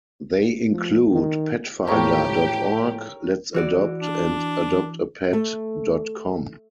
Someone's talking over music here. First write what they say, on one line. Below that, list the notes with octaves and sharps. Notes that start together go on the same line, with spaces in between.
They include Petfinder dot org, Let's Adopt and Adopt-a-Pet dot com.
F3
D#3
A2 F3 G4 A#4 C#5
E3 F#4 D5
D4
A3